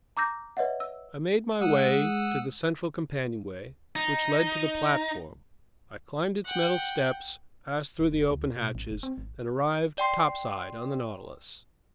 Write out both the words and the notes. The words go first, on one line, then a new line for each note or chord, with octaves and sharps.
I made my way to the central companionway, which led to the platform. I climbed its metal steps, passed through the open hatches, and arrived topside on the Nautilus.
A#5 D6 E6 G6 A#6
B4 C#5 D#5 E5 F#5
E6
G#3 F#5 D#6 E6
D#4
F#5 G5
D#1
F1
D2
B2
A1
D#1
C4
G#1
D5 G5 C6 C7